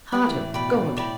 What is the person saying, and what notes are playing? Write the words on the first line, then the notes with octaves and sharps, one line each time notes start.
Heart of God!
G3 D5 G5 B5
E3
A2
B2 D5 G5 B5
D3
B2
A2 D5 G5 B5